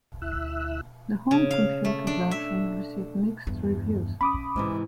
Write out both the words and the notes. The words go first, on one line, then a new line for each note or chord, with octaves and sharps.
The home computer versions received mixed reviews.
D2 E4 E5 E6 F#6
C#3
F5
A3
D4
E5
E2 G2
C#4 B5 D6 D#6
G#2 C3 E3